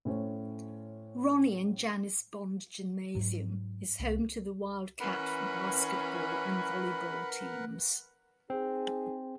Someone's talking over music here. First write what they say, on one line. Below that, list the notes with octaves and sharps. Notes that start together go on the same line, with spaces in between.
Ronnie and Janis Bond Gymnasium is home to the Wildcat basketball and volleyball teams.
A2 C#4 C5
G#2 F#3
C2
E3 C#4 A#4 B4 F#5 B5
C4 D#4 G#4